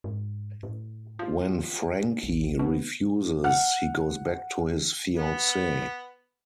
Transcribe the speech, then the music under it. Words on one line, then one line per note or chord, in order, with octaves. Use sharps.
When Francie refuses, he goes back to his fiancee.
G#2
A2
F4
A#1
B3
F#5 F6
B3